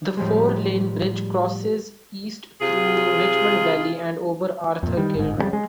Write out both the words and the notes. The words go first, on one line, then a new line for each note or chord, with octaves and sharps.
The four-lane bridge crosses east through Richmond Valley and over Arthur Kill Road.
A2 F3 G3 G#3
C3 F4 G#4
F2 A#2
D#3 G3
G1 G#2
F2 A#2 G3
G#3